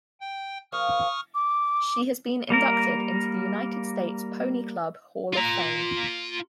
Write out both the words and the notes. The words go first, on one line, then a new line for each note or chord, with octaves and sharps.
She has been inducted into the United States Pony Club Hall of Fame.
G5
F3 A#3 F5 C#6 D#6 F6
D6
G3 A#3 A#4
F4 A#5